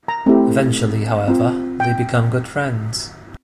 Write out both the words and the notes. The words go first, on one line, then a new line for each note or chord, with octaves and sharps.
Eventually, however, they become good friends.
A#5
A3 C4 E4 G4
C4 F4
G5